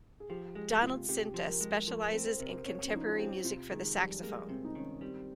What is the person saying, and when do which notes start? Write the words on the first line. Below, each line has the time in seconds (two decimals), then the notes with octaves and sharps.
Donald Sinta specializes in contemporary music for the saxophone.
0.20 G#4
0.29 F3 G4
0.55 G#3 G#4
0.82 C3 F4
1.09 C3 G4
1.34 F3
1.47 A#4
1.61 G#3
1.87 F3 A#4
2.13 C4
2.27 C5
2.38 C3 A#4
2.49 C5
2.65 C3 C#5
2.83 C#4
2.91 F3 D#4
3.07 F4
3.18 C4 G4
3.44 C3 F4
3.71 D#3 G#3
3.97 F2 G3
4.23 G#3 A#3
4.49 C3 C4
4.64 D#4
4.75 D#3 C#4
5.01 G3 C4